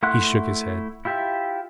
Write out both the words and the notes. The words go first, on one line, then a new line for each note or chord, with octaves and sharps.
He shook his head.
A3 E4 F#5 C6 F#6
E4 F4 G4 E5